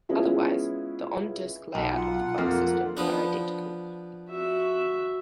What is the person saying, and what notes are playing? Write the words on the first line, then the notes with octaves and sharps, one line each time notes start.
Otherwise, the on-disk layout of the filesystems are identical.
G#3 B3 C#4 E4 F4
B1
F4 F#5
F2 A#3 F5
F3 B3 D4
F#4 E5